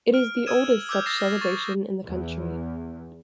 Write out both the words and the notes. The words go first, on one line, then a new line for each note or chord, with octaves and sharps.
It is the oldest such celebration in the country.
F6 D7
D#6 E6 G#6 D#7 E7
D6 E6 F6 G6 G#6
D#6 A6 A#6 C7 E7
D#6 F6
C#6 A6
E2